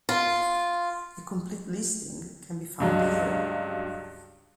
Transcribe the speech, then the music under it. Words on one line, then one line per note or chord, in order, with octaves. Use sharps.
A complete listing can be found here.
F4
C#2 G2 F#3